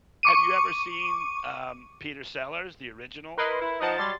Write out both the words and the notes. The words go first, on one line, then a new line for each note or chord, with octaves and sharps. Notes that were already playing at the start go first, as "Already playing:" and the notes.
Have you ever seen, um, Peter Sellers, the original,
C#6 D6 D#7
E4 A#4 B4 D#5 C6
E4
F3 D#4 C5 D#5 F#5 A5
F#3 G3 C6 A6